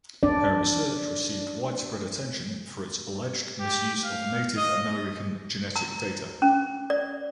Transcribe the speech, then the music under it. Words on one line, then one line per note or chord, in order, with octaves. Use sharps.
Her research received widespread attention for its alleged misuse of Native American genetic data.
D4 D5
G4
F5
D#5
A#5
C#4
D5